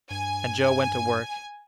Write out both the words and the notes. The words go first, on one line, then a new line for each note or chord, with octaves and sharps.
And Joe went to work.
G2 G#5